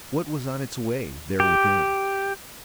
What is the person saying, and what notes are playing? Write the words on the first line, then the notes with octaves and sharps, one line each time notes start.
What was on its way there within?
G4